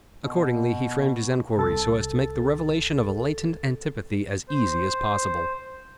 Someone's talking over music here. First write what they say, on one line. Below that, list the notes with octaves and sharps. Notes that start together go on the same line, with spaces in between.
Accordingly he framed his enquiries so as to make the revelation of a latent antipathy as easy as possible.
B2
C2 A4 A6
C5